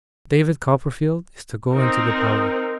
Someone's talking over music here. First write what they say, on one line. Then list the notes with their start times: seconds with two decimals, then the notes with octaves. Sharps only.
'David Copperfield is to go into the parlour.'
1.72 C4 D#4 A#4